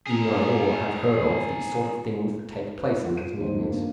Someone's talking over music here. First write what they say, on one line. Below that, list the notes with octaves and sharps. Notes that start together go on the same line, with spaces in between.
You know, or have heard of, the sort of things that take place in these mutinies.
G#4 A#4
B4
F4 F#5
D#7
D#2 G#2 C5
G2 A#3